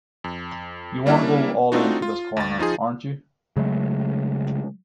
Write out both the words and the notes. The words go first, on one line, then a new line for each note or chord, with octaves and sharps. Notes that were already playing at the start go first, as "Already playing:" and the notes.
You want to go all in for this corner, aren't you?
F2
G3 A#3 C#4 D4 E4 E5
A3 C4 D4 D#4 F4 F#4
F4
D2 A6
F3 D#4 F4 G#4
C#3 F#3 G#3 A3